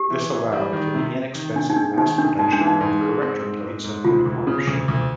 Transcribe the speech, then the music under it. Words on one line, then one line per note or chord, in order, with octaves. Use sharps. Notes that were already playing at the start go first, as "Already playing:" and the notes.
This allowed for the inexpensive mass production of corrector plates of uniform shape.
Already playing: G4
E3
E3
G3
D#3
C3
C3
D#3
C3 D4
D#4
G#3 D4
D#3 D#4
C3 D4
G#2 D#4
D4
E3
D#4
G#2
G#3
C4
G#2
G#2
G#2
D2 F4
D2
C#3
D2
D2